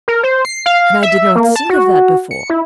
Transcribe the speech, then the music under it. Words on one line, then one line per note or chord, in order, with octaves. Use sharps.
And I did not think of that before!
A#4
C5
C7
F5
E5
A#3
A5
F#4
C#7
E4